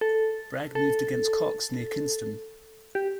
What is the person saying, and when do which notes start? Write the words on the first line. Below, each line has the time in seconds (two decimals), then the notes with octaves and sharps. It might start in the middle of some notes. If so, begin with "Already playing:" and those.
Bragg moved against Cox near Kinston.
0.01 A4
0.75 A4
2.95 G4